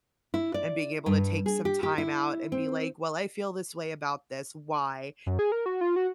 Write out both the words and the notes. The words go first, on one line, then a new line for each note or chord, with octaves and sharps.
and being able to take some time out and be like, "Well, I feel this way about this, why?
E4
D5
G2
G#4
G4
G4
E4
C4
F#2
G#4
A#4
F#4
F4
F#4